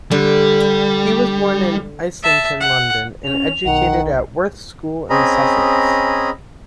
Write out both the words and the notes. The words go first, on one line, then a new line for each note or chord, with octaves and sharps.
He was born in Islington, London, and educated at Worth School in Sussex.
D3 G3
E5 A5
F#5
C#4 F7
B1 D#3 F#5
C4 C#4 G#4 D#5 A#5 B5